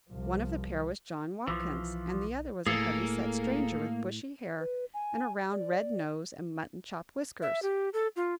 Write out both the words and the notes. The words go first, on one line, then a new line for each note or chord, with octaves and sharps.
One of the pair was John Watkins, and the other was a heavy-set stranger, with bushy hair and a round, red nose and mutton-chop whiskers.
C2 F3
B1 E3 F3
D1 A2 A#3 G#4 A4
B4
G#5
D5
E5
G4
A4
F4